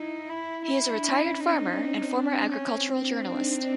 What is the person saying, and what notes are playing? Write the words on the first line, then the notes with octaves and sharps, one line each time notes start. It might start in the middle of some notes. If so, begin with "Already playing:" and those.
He is a retired farmer and former agricultural journalist.
Already playing: D#4 E4
E4
D4 E4
C#4
C4 D#4
C4 D4
C#4
C4 D4
D#4